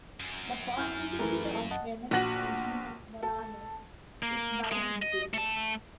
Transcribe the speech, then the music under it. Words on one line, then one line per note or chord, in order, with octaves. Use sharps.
The possibility of venom in the genus "Varanus" is widely debated.
F#2
E4 G#5 F6 G6
E3 A3 G#4 A#4 B4
D#5 F#5 A5
A#1 F#4 F#5 A#6 F#7
A4
A#3
G#3
D#5
A3 A5